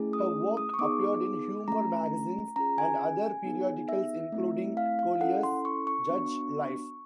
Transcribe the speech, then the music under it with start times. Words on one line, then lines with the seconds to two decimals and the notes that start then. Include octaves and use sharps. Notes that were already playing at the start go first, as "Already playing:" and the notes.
Her work appeared in humor magazines and other periodicals, including "Collier's", "Judge", "Life".
Already playing: A3 C#4 E4 G#4
0.13 D#6
0.57 D#6
0.74 C#6
0.79 B3 D#4 G#4 D6
1.68 A3 C#4 F4 A#5
2.56 C#4 F4 G#4 A#5
2.78 G#5
3.45 B3 D#4 G#4
3.89 E5
4.32 A3 C4 E4
4.77 F5
4.99 F5
5.21 C#4 E4 A4 F#5
5.43 C6
5.65 C#6
5.87 C#6
6.09 B3 D4 F#4